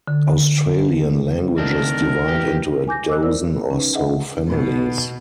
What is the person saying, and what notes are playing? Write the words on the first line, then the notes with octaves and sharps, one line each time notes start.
Australian languages divide into a dozen or so families.
D3
D#3 A3 C4 D4 A#4
E3 G4
G#5 D6 G6 A#6
D#5 D6 E6 F#6
A#4 C5 D5 E6
C#4 D#4 B4
G#4 D#5 E5 F#5
B2